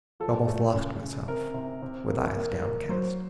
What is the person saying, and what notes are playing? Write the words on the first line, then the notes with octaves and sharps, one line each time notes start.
And almost lost myself with eyes downcast.
F3 A4
A3
C#3
C#3
C3 A#4
C3
C3
A#3
A#3
A#3
F#3 C5